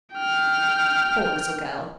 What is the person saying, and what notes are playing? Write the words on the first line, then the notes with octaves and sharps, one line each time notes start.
Poor little girl!
G5 F6